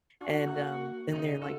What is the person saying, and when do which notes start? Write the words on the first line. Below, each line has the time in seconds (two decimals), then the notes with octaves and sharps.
and, um, then they're like
0.21 D4 F#4
0.47 A#3
1.12 C#3 D#4
1.42 F#4 A4